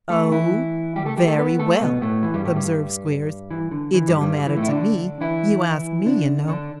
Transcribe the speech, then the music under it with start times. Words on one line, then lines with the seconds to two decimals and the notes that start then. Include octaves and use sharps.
'Oh! very well!' observed Squeers, 'it don't matter to me; you asked me, you know.
0.10 A3 A4
0.32 E3 E4
0.96 G3 G4
1.05 A3 A4
1.17 G3 G4
1.27 A3 A4
1.38 B3 B4
1.59 A3 A4
1.81 B2 B3
2.01 A2 A3
2.23 E3
2.34 G2 G3
2.45 A2 A3
2.55 G2 G3
3.51 E3
3.71 D3
3.94 E3
4.07 G2 G3
4.21 G2 G3
4.47 E3
4.57 A2 A3
4.63 E4
4.67 D3 D4
5.21 E3 E4
6.06 D3 D4
6.48 D3 D4